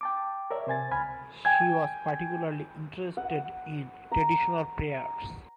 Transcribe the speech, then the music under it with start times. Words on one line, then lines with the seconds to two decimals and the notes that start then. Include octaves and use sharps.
She was particularly interested in traditional prayers.
0.01 G5 A5 D6
0.51 A#4 C#5 D5 E5
0.67 C3 C5 G#5 A6
0.91 C#2 G#5 B5 F6
1.45 G5 G#5 G#6
3.17 F#5
4.11 A#5